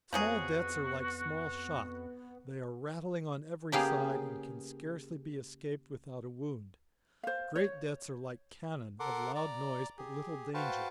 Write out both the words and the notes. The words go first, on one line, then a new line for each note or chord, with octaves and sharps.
Small debts are like small shot; they are rattling on every side, and can scarcely be escaped without a wound: great debts are like cannon; of loud noise, but little danger.
F2 F3 F#3 B3 F#4 G#4
C#3 A#3 B3 G4 G#4 F5
C5 F5
C#5
A4 A#4 F#5 C6 D6
D5 A#5
G4 G#4
F#4 B4 C5 F5 G5 A5